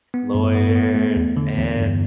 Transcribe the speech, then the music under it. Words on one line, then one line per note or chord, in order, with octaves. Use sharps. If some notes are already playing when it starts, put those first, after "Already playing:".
lawyer, and
B3
G2
B3
B3
A3
E2
D3
E2
G2